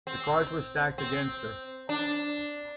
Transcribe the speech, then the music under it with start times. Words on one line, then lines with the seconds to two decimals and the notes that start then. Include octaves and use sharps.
The cards were stacked against her.
0.07 C4
0.98 C4
1.89 D4